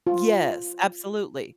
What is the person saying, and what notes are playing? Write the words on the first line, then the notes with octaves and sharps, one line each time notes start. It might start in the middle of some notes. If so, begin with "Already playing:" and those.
Yes, absolutely.
F4